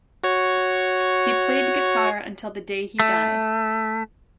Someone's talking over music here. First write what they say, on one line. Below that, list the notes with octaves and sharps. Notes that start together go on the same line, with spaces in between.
He played guitar until the day he died.
F#4 C#5
A3